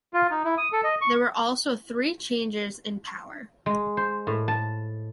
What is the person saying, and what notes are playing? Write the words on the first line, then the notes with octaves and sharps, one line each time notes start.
There were also three changes in power.
F4
D#4
E4
D#6
A4
D#5
C#6
G#3
C5
A2
A5